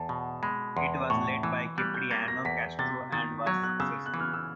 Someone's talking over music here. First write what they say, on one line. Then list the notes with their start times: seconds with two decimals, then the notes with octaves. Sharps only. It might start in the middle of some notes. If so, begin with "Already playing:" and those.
It was led by Cipriano Castro and was successful.
Already playing: E2 A5
0.09 B2
0.43 G#3 B5
0.76 E2 C6
1.10 A2 C#6
1.43 E3 E6
1.77 G3 F#6
1.94 G6
2.11 A#3 A6
2.28 A#6
2.45 E2 B6
2.79 C3 A6
3.12 D#3 A6
3.46 F#3 G#6
3.63 F#6
3.80 C#3 E6
4.06 F#6
4.14 E3
4.20 F6
4.34 E6